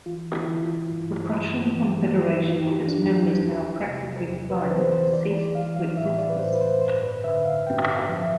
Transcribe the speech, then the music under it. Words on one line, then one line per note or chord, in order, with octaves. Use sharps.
The Prussian Confederation, with its members now practically divided, ceased to exist as such.
E3 F4
E4
E3
F4
G2
G2
E3
E3
F4
F2 G4
D4
F2
F4
E2
C3
E2
B4
E3 C5
C5
E3 D5
D5
E3 F5
F5
A2 E5
D5
B4
A2 C5
B4
C5
G2 C5
B4
D3 E5
F5
G2 G5
F5
F3
E5